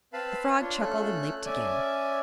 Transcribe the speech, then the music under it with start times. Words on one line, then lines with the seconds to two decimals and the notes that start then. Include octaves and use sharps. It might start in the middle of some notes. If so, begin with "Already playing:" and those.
The frog chuckled and leaped again.
0.13 C4 B4 F5 A5 B5
0.61 D4 F4 C#5
0.81 A3 C#4 A4 F#6
1.46 C#4 D5 E5 G#5